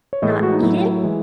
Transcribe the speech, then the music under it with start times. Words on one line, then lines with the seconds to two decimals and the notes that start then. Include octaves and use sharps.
Not eat it?
0.13 C#5
0.22 A2 E3 G#3 D#5
0.32 G#4
0.43 F#4
0.52 D#4
0.63 A2 F#3 E4
1.03 E3 G#3